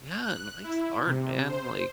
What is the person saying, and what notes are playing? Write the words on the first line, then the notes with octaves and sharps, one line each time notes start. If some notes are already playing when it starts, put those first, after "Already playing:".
Yeah, and life's hard, man, like,
F#6
E4
C3
C5